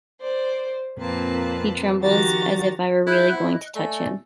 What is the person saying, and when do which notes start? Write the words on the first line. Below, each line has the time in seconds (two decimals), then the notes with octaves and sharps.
He trembles: as if I were really going to touch him!
0.21 C5 D5
0.99 F2 A#2 A#3 C4 B4 A5
2.01 D#3 F3 F#4 G4 A#5 A6
3.07 E4 G#4 F#6 G6
3.33 C5 F#5
3.52 D#5 F#6
3.75 A3 D5 D#5 G#5